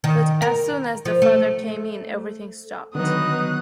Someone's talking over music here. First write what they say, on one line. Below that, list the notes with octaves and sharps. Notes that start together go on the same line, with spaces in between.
But as soon as the father came in, everything stopped.
D#3
A#4
F3
A3
D3 D#3 F#3 B3 D#4 D#6 F#6